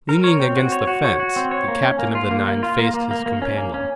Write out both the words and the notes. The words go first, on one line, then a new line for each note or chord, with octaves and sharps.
Leaning against the fence, the captain of the nine faced his companion.
A#4
C#5
C4
F#4
C#5
F#4
C#5
F#4
C4
C#5
A#3
C#4
A#3
F4
A#3
A#3
F4
A#3
A#3
A#3
A#3
C#4
A#3
C#4